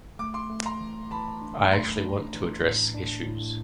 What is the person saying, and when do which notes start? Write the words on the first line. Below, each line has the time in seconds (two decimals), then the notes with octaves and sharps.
I actually want to address issues.
0.19 A3 D6
0.34 C6 D6
0.50 A3
0.66 A#5 C6
0.80 E3
1.11 E3 A5 B5
1.42 D4
1.72 A3 A#5 C6
2.04 D4
2.33 E3
2.64 A2
2.94 D4
3.26 A2